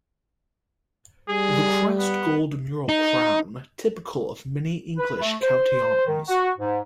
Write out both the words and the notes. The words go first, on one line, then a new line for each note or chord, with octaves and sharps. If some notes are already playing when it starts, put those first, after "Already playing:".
The crest gold mural crown, typical of many English county arms.
G3 G#4
B3
D#4
B4
A3
C5
D#3
F#4
G#2